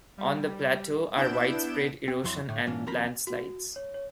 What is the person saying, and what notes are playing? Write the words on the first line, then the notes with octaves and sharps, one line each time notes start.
On the plateau are widespread erosion and landslides.
G3
B3 D4 E4 G6 D7 E7
C4
F2 F#3 E4 C6
A2 D3 A3
G#2 E3 A#3 C#4 D4
D#2 F3 C4 A#4 A#5 B5
F#4
C#5
C#5